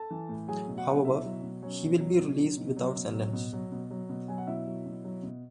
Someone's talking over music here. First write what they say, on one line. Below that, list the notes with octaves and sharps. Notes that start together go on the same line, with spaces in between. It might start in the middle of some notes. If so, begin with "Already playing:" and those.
However, he will be released without sentence.
Already playing: A4 A5
E3
A2
F#3 G#4 G#5
B2
F#4 F#5
F#3
B2 E4 E5
F#3
B2
F#3 C#4 C#5
B2
F#3
B2
F#3
B2
F#3
B2
F#3
B2
F#3
B2
F#3
B2
F#3 G#5
F#5
B2 E4 E5
F#3
B2
F#3
B2